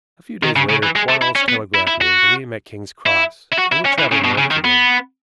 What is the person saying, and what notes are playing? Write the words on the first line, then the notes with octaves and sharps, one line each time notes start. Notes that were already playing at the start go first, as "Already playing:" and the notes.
A few days later Quarles telegraphed me to meet him at Kings Cross, and we traveled North together.
D#3
C#3
C#3
E3
G#3
A3
E4
C#4
B3
E4
E4
F#4
E4
E4
F#4
E4
C#4
E3
C#3
B2
C#3
D#3
B3